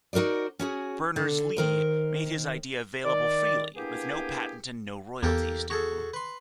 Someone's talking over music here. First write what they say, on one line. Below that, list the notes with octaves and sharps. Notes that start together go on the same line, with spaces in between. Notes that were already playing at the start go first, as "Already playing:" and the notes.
Berners-Lee made his idea available freely, with no patent and no royalties due.
D#4 F#4 A#4 C5 D5
C#4 F#4 G#4
D3
D#3 A#4 C5
D#3 D5
A#3 B3 D4 E4 G4 G#4
E2 A#3 G4 A4
F#4 G#4 A4
B4 C6